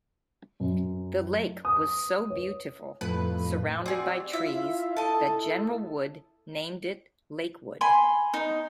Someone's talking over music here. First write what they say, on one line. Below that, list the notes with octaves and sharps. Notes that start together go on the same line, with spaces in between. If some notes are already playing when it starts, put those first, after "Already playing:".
The lake was so beautiful surrounded by trees that General Wood named it Lakewood.
F#2
D#6
C#5
F2 A2 B4
C4 F#4 G#4 D5
E4 F4 E5
E4 A4 D#5 A5
G#5 B5 C6
D#4